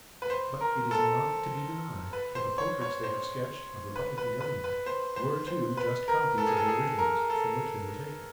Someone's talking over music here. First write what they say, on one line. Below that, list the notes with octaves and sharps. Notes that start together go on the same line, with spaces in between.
But it is not to be denied that the portraits they have sketched of republican government were too just copies of the originals from which they were taken.
B4
C5
A#4
A4
B4
C5
C#5
C#5
C5
B4
B4
B4
B4
C5
C5
C5
B4
A#4
A4
G#4
A4
G#4
A#4
A4